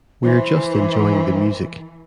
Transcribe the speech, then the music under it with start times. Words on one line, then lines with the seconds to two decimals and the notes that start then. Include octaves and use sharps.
We're just enjoying the music.
0.23 E3 C5